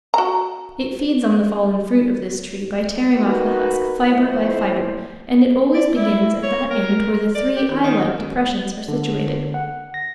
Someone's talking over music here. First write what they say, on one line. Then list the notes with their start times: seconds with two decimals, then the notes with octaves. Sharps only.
It feeds on the fallen fruit of this tree by tearing off the husk, fibre by fibre; and it always begins at that end where the three eye-like depressions are situated.
0.14 F#4 A#5
3.16 D#4 F#4 A#4 B4
4.06 F2 E4 C5
5.74 D5
5.96 E4
6.43 C#5
6.70 A#4
7.35 D5
7.56 G4
7.69 D#3
7.83 D#3
8.88 D3
9.54 F#5
9.94 A#6